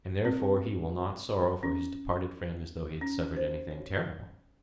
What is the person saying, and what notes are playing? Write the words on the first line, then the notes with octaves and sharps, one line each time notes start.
And therefore he will not sorrow for his departed friend as though he had suffered anything terrible?
C4
C#4
C#4
C5
C#5